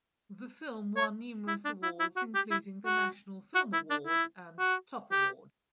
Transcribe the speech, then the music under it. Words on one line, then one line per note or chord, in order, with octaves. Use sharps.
The film won numerous awards including the National Film Award and Top Award.
C#5
E4
D4
E4
E4
F#4
G4
E4
F#4
F#4
E4
D4
E4
F#4
G4